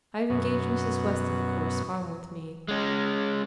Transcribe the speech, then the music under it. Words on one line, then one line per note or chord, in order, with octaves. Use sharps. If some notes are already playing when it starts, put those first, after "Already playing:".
I have engaged Mrs. Weston to correspond with me.
F#2 B2
G#3 C#4